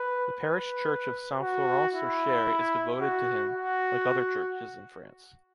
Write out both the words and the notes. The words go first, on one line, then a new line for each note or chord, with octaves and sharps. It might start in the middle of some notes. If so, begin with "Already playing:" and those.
The parish church of Saint-Florent-sur-Cher is devoted to him, like other churches in France.
Already playing: B4
B4
F#4
E4
F#4
F#4